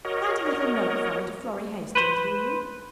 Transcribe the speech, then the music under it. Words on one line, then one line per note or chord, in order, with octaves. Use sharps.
Write a little note for me to Florrie Hastings, will you?
F#4 A#4 C#5 D#5
B4 C5